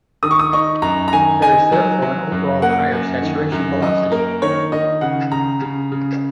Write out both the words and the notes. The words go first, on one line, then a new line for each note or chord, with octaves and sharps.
There is therefore an overall higher saturation velocity.
D#3 D#6
C#6
D#6
D#4 C#6
F#2 A#5
A#5
D#3 G#5
D#4 G#5
F#3
F#3
F#2
A#3 F#5
F#2
D#3
F#2
F#2 D#5
A#3 A#4
D#3 C#5
D#3 D#5
C#3 F#5
C#3 A#5
C#3
C#3